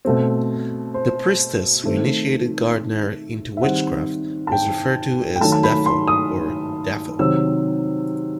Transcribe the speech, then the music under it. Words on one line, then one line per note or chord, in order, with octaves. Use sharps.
The priestess who initiated Gardner into witchcraft was referred to as "Dafo" or "Daffo".
B2 A3 C4
C5
D#3 A3 C4
E5
D#3 G3 C4 F#5
A5
G5
G5
D#3 F#3 A3 A5
A5
B5
C6
D#6
C3 D#3 F#3 C4 E6